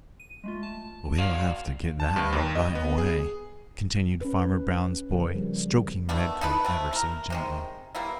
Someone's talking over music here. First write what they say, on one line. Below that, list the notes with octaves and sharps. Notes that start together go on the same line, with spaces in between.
"We'll have to get that out right away," continued Farmer Brown's boy, stroking Redcoat ever so gently.
D#7
G#3 A3 F4
A5
F#4 D5 F5
A5
G2
D#2
D#5
B3
G#4
C#4 B4
A#2 C#3 F3 A#3 C4
G3
A#3
D#3 A3 B3 D4
D#4 E4 A4 B4
C3 A3
E4 A#4
C3 D#3 G#3
G3 A#3 B3 E4